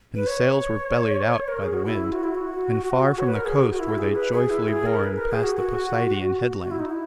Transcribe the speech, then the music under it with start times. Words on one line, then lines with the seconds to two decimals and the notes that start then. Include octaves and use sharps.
And the sails were bellied out by the wind, and far from the coast were they joyfully borne past the Posideian headland.
0.15 B4
0.27 C#5
1.48 A#4
1.61 G#4
1.73 F#4
1.85 E4
2.12 F#4
2.23 E4
2.34 F#4
3.19 C#5
3.27 B4
3.35 A#4
3.45 G#4
3.62 F#4
3.72 F#4
3.79 E4
3.98 G#4
4.15 B4
4.33 G#4
4.50 E4
4.68 G#4
4.86 A#4
5.03 B4
5.17 A#4
5.30 G#4
5.43 F#4
5.56 F#4
6.62 F#4
6.71 E4
6.79 D#4
6.88 E4